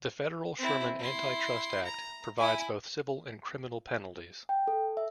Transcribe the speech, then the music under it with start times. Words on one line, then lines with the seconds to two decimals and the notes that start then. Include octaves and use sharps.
The federal Sherman Antitrust Act provides both civil and criminal penalties.
0.58 C4 E4
0.99 E4 C6
1.84 A#5
2.37 E4 G#5
4.49 G5
4.68 A4
4.97 E5